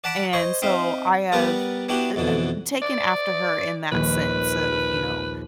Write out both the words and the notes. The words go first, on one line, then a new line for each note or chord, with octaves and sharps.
and so I have, eh, ah, taken after her in that sense of, you know,
D5 F#5 A5 B5 D6
C5 C#5 D#5 C#6
C4 D#4 E5 F5
G3 B3 A#4 B4 D5 F#5
B3 D4 E4 F#4 G4
F2 B2 D3 E3
D5
A#1 D#2 B4